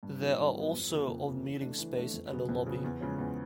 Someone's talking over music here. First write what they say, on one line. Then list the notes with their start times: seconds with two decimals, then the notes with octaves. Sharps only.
There are also of meeting space and a lobby.
0.03 G2
0.20 D#3 F#3 B3
0.38 G2
0.55 D#3 F#3 B3
0.73 F2
0.90 C#3 F3 A#3
1.08 F2
1.26 C#3 F3 A#3
1.43 E3
1.61 A3 D4
1.79 E3
1.96 A3 D4
2.14 F2
2.31 C#3 F#3 B3
2.49 F2
2.66 C#3 F#3 B3
2.84 E2
3.01 C#3 F3 G#3 C#4
3.19 E2